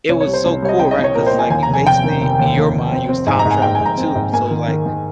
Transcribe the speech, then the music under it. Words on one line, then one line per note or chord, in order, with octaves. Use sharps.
it was so cool, right, 'cause it's like, you basically in your mind, you was time traveling too, so, it was like,
C2 C#5
C#5
G3
C5
C2 C#5
G3 C#5
D#5
C2 G5
D#5
C2
C#5
A#2 A#4
C5
A#2
G#5
D#2 G#5
A#5
F1
G#5
F1 G5
D#3
F1
D#2
D#2
F1
C4
C4
G#2 G#5
A#5
G#2
G#5
G#2 G5
G#5
G#2 A#5
C4
G#2
A#3 G#5
D#3
D#3
D#3